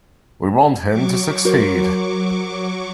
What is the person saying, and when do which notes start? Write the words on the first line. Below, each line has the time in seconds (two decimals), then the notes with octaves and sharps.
We want him to succeed.
0.88 F#3 C#6 D6
1.45 F#4 A#4 C5